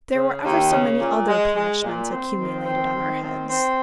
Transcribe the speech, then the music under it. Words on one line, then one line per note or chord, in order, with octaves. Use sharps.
There were ever so many other punishments accumulated on our heads.
C#3
D#2
C#3
A#2
G#3
G#3
A#2
C4
D#3
C4
D#3
C4
C4